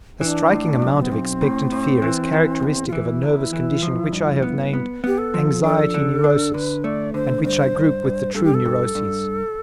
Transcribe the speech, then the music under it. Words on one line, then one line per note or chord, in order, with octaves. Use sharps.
A striking amount of expectant fear is characteristic of a nervous condition which I have named "anxiety neurosis," and which I group with the true neuroses.
E3 D4
A2
B1
B3
B1 C4
A2
A2
E3
E3
E2
F4
E3 E4
E2
E3
F3
G2
B3
B3
B3 G4
A4
F3
D4 A4
D3
D4
D3 B4
A3 D5
D3 C5
G2 C5
G2
G2
G2 A4
G4
A4
G2
G2